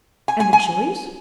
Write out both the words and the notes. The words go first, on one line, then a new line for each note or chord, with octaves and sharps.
"And the chilis?"
G#5
G#5
G#5